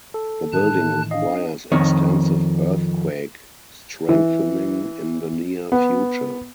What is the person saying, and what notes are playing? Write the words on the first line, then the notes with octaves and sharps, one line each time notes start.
The building requires extensive earthquake strengthening in the near future.
A4
A2 D#3 E3 A5 F#6
D4 D#5 F5
F2 D#3 C#5
E3
B3